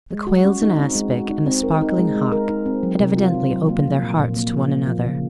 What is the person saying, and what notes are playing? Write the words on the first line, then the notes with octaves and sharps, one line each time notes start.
The quails in aspic and the sparkling hock had evidently opened their hearts to one another.
G#3
F#4
C#4
D#4
C4
G#3
F#4
D#4
C4
A#4
D#4
G#3
G#3
A#4
D#4
C4
F#3
C3
F4
C4
F#3
A#3
F3
A#2
A#2
A#3
F3
A#3
F3
C#3